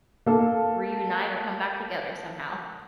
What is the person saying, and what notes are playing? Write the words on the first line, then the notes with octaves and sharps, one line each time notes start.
reunite or come back together somehow.
A#3 A4